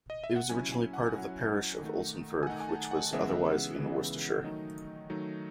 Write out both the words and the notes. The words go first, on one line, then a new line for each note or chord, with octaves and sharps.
It was originally part of the parish of Oldswinford, which was otherwise in Worcestershire.
D#5
E5
F#5
F#3 C#4 E4 G#5
G#5
F#5
G#5
F#3 C#4 E4 F#5
D#3 A3 D#4
G#5
D#3 A3 D#4 F#5
G#5
A5
F#5
C#3 E3 G#3 B3 E5
F#5
E5
C#3 E3 G#3 B3
D#3 F#3 A3 D#4 D#5
D#3 F#3 A3 D#4